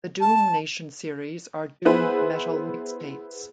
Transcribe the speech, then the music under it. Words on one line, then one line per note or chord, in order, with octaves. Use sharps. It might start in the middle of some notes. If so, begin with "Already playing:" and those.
The "Doom Nation" series are doom metal mixtapes.
A5
B3 E4 G#4 B4 C5